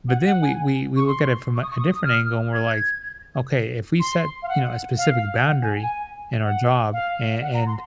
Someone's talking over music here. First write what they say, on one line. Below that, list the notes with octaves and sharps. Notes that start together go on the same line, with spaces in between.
But then we we we look at it from a a different angle and we're like, "Okay, if we set," you know, a specific boundary in our job and and
F#5
F#5
G#5
C#6
C6
C#6
D#6
C#6
D#6
D#6
F6
G#6
C6
F5
F#5
F5
F#5
G#5
G#5
F#5
F5
F#5
A#5
C6